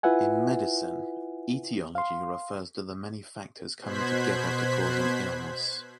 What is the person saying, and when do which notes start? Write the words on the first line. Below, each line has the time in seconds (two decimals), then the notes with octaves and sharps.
In medicine, etiology refers to the many factors coming together to cause an illness.
0.03 E4 F4 B4 E5 F#5 G#5
1.95 F5 C6
3.81 B2 C5 F#6 G#6 B6